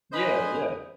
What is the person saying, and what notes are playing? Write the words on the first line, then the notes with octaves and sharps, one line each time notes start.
Yeah, yeah.
B4 C5 D#5 G#5